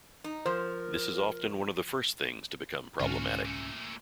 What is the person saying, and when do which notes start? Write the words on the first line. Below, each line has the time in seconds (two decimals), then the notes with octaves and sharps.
This is often one of the first things to become problematic.
0.24 D#4
0.46 F3 A#4 C5
3.00 C2 G#2 D3 C#4 F4 F#4
3.45 A#2 A3